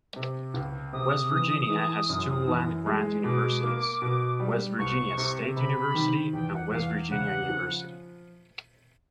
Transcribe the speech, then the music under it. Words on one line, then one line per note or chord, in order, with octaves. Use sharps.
West Virginia has two land-grant universities: West Virginia State University and West Virginia University.
C3
C#2
C3 D#6
E3
E3
F#2
E3
G#3
B2 D6
A#3
B2
G3
C2 C#6
C3
C3 B5
D#3
E2 G5
F#5
E2 F5
C#3 F#5
F3